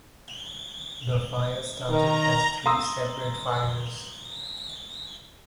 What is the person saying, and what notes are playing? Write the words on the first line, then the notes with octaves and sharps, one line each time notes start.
The fire started as three separate fires.
D#3 A#4 A#5
A#5 C6 D#6 E6